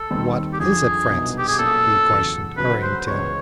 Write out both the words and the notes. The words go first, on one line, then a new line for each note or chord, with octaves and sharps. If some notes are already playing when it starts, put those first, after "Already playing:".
"What is it, Francis?" he questioned, hurrying to him.
Already playing: A4
D#2 D#3 G3 C4
G4
F2 D3 F3 G#4
C2 B2 F#3 B3 D#4
G4
G#4
A#2 F#3 A#3 C#4 A4
E2 C#3 F#3
D2 C#3 F#3 B4
C5
C5
C#2 C#3 E3 G#3 B3 C#5